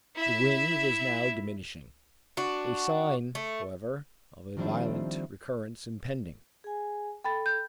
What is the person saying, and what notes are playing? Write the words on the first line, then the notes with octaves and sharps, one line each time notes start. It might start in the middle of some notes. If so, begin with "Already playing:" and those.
The wind was now diminishing--a sign, however, of a violent recurrence impending.
E4 E5
D4 F#4
A3
D#3 F3 G3 C4 D4 E4
G#4 G#5
A4 G5 B5 A6
G6